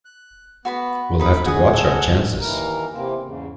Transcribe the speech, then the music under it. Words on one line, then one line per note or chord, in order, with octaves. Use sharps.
We'll have to watch our chances.
F#6
B3 F#4 B4 B5
D#4 B4 B5 D#6
F#4 G#4 F#5 D#6
A4
D#2 E3 A#4
C3 E3 A#3 C4
E2 G#2 C#3